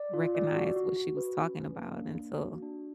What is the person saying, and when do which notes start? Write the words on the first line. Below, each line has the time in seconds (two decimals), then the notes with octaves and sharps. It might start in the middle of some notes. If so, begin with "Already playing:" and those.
recognize what she was talking about until
Already playing: D5
0.14 F4
0.35 D5
0.55 F#4
0.76 F#4
0.96 F#4
1.17 B4
1.38 C#4
1.59 C#4
1.79 A#3
2.00 D4
2.21 A#3
2.41 F#4
2.62 D4